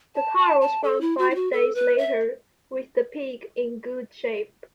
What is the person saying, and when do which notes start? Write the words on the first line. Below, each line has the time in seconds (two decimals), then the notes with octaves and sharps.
The car was found five days later, with the pig in good shape.
0.15 A5
0.38 A5
0.61 A5
0.84 A4
1.01 E4
1.18 F#4
1.31 E4
1.35 F#4
1.52 A4
1.75 B4
1.98 E5